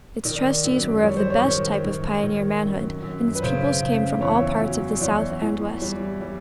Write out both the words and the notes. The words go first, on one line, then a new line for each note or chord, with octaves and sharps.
Its trustees were of the best type of pioneer manhood, and its pupils came from all parts of the South and West.
D#3 D5
F#2
G3 C#5
C5
C#5
D#3
D#3
D#3
F#2
F#2
B4
C#3 C5
C#3
E2 C#5
F#3
D5
E2 C#5
E3
G3
G3